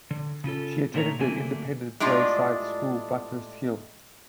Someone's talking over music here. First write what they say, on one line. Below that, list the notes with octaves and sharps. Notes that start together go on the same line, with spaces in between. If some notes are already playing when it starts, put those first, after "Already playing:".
She attended the independent Braeside School, Buckhurst Hill.
D3
C#3 C#4 F4 A4
A#2 D#3 A3 D4 C#5 A#5
F#2 D3 F#3 A3 A#3 G#5
A2 G3 G#3 D4 F4